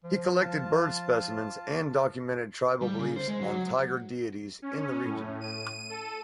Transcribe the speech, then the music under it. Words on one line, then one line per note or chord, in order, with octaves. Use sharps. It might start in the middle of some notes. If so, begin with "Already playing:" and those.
He collected bird specimens and documented tribal beliefs on tiger deities in the region.
F3
F4 A5
G3
C#3
C5
G#3
F#3
C#4
A2
D#7
A4